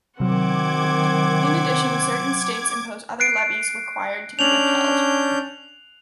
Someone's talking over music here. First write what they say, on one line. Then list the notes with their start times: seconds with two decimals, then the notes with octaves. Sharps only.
In addition, certain states impose other levies required to be withheld.
0.20 C3 D#3 F#3 C4 F#5 D6 G#6
3.20 F#6 C7 D7
4.39 C#4 D4 G6 F7 F#7